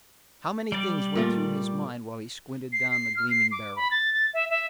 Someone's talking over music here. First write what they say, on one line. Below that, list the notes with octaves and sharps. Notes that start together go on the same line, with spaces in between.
How many things went through his mind while he squinted down the gleaming barrel!
G3 D5
A#2 A3 F4
C7
C7
F6
C7
D6
B5
A6
A6
E5
E5